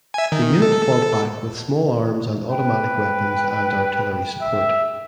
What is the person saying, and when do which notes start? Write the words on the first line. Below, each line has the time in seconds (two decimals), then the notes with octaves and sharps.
The unit fought back with small arms and automatic weapons and artillery support.
0.14 E5 G#5
0.32 D#3
0.62 A4
2.50 B4 G5
4.41 E5